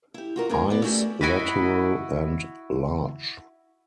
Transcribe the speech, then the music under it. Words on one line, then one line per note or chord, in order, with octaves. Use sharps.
Eyes lateral and large.
E4 G4
F4 F#4 A#4
A2 D4 F4 G#4 A#4
B3 D5
A3 C#4 F#4 G4 D5 E5
E4 F#4 D#5 B5